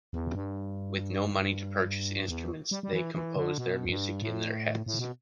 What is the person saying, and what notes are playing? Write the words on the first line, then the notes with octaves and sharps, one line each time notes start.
With no money to purchase instruments, they compose their music in their heads.
E2
G2
E2
G3
G3
E3
E3
D3
B2
E2
G2
A2
A2
B2